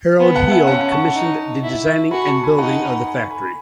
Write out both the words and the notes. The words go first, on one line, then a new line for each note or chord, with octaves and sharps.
Harold Heal commissioned the designing and building of the factory.
B3 G#5 B5
F#5 A5
E5 G#5
C#4 F#5 A5
A5 C#6
D#4
E4
F#4 G#5 B5
A5 C#6
G#5 B5
D#4 F#5 A5
G#5 B5
G#5 B5
G#5 B5